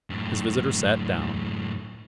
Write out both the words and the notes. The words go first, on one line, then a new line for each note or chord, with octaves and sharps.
His visitor sat down.
F#2 A2